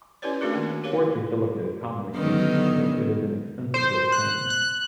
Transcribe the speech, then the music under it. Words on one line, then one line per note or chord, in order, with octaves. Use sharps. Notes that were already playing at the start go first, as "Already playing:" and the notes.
Quartz or silica is commonly used because it is inexpensive to obtain.
C#4 E4 G4 B4 C#5 D5
A3 C4 D4 F#4 G#4 A#4
D#3 A#3 C4
G4 A#4 C#5 F5
G2 D3 D#3 F#3 B3 C#4
C5
F#6
F#6